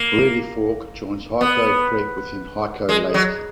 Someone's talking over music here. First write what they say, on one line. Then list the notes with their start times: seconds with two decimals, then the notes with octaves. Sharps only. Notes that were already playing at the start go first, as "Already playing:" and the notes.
Reedy Fork joins Hyco Creek within Hyco Lake.
Already playing: A#3
1.41 B3
2.89 G#3
3.14 F#3